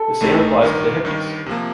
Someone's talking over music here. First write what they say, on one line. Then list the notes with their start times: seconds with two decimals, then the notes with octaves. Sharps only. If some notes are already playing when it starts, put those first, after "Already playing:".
The same applies to the hippies.
Already playing: A4
0.20 A#1 A2 A3 D#4
0.62 G1 G2 D#3 A#4
1.04 G1 G2 D#3
1.46 C3 F3 A#3